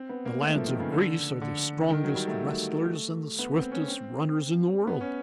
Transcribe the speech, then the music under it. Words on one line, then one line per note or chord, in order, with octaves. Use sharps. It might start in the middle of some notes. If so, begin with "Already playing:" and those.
The lads of Greece are the strongest wrestlers and the swiftest runners in the world!'
Already playing: C4
B3
A#3
A3
F3
D#3
C#3
D3
D3
D#3
F#3
G3
A3
B3
C4
C#4
C4
B3
C#4